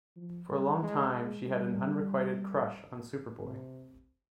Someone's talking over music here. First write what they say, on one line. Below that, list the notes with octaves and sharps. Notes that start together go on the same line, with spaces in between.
For a long time, she had an unrequited crush on Superboy.
F3
G3
G#3
G#3
G3
C3